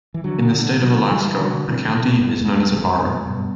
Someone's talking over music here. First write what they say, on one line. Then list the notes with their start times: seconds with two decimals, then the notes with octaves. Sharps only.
In the state of Alaska, a county is known as a borough.
0.14 E3
0.24 D3 F#3
0.53 B2 D3
0.82 D3 F#3
1.11 E3 G3
1.39 D3 F#3
1.68 C3 E3
1.87 D3
1.97 A2 C3
2.19 G2 B2
2.34 A2
2.40 E2 G2
2.77 E2
2.84 F#2
3.05 F#2 A2
3.26 G2 B2